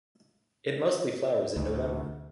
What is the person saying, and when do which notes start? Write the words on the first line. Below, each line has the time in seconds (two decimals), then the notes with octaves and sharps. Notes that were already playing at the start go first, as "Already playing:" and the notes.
It mostly flowers in November.
1.56 D2